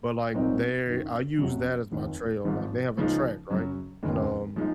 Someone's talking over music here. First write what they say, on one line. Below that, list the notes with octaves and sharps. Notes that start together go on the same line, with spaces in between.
but, like, they I use that as my trail, like, they have a track, right, and, um,
C2 A#2 F#3 C4 D#4
F#1 F#2 D#3
F2 C3 F#3 C#4 F#4
F1 D#2 D#3
G#1 G#2 F3
C#2 C#3 F3 G#3 D#4
F#2 C#3 F#3
F1 D#2 C#3 G#3
F3 G#3 D#4